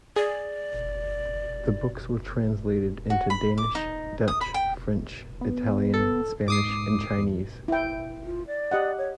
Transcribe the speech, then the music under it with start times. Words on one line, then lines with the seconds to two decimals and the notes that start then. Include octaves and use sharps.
The books were translated into Danish, Dutch, French, Italian, Spanish and Chinese.
0.16 G#4 D5
3.10 F#4
3.30 B5
3.58 D6
3.75 D#4
4.28 D#6
4.41 B5
4.54 G5
5.41 B3
5.94 A4
6.48 G#2 D6 D#6 C7
7.18 E2
7.68 E4 G5
8.25 F4
8.47 D5
8.71 G4 D#5 F#5
8.98 C#5